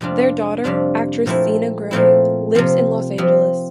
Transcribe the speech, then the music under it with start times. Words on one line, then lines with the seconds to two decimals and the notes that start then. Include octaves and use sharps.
Their daughter, actress Zena Grey, lives in Los Angeles.
0.01 F2 C3 G3 D4 F4
0.64 F2 C3 G3 D4 F4
1.26 A#2 F3 A3 C4 E4
1.91 A#2 F3 A3 C4 E4
2.55 C3 F3 C4
3.18 C3 F3 C4